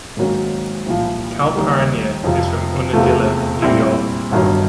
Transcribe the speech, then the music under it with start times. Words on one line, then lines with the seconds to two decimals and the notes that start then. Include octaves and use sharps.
Karl Paranya is from Unadilla, New York.
0.17 G#2 D#3 F#3 A#3 C#4
0.86 C2 A#2 F3
1.56 D#2 D#3 G3
2.24 F2 C3 F3
2.93 E2 C3 F3 A3
3.62 A#2 G3 C4 E4
4.31 G1 G2 D#3 F#3